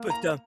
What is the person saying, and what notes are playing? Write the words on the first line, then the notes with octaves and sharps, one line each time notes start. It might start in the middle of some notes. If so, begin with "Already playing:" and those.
But, um
Already playing: A#3
A#5